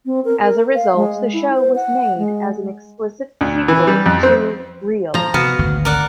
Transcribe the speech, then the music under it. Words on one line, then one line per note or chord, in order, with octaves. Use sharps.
As a result, the show was made as an explicit sequel to "Real".
C4
A#4
A#4
F5
G#3
E4
C5
F#5
G#3
D2
E3
G3
F2
C4
F3 A#5
C3 B3 F#4 F5
G#1 D2 D3
A#4 D5 F#5